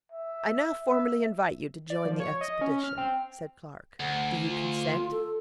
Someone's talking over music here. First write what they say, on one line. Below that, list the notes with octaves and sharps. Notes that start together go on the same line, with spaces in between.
'I now formally invite you to join the expedition,' said Clark: 'do you consent?'
E5
E5
D5
F3
C#5
D#5
C#4
F6
C4
D2 F#5
F4
A4